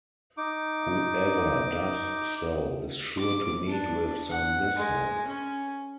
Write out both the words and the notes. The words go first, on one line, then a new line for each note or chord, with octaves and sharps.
Whoever does so is sure to meet with some mishap.
D#4 D6
D6
D4
F#5
G#3
C#4